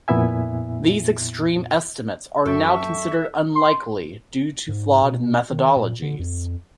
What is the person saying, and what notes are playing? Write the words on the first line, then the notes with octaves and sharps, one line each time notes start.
These extreme estimates are now considered unlikely due to flawed methodologies.
F2 A#2 B3 E4 E5 G#5
F#2 A4 E5 G5 C#6
C6
G#2
B2
D#3
A#2
D3
F2